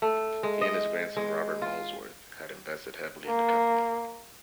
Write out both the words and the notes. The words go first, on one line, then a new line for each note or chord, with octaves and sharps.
He and his grandson, Robert Molesworth, had invested heavily in the company.
A3
G#3
D#5
G#3
F4
A#3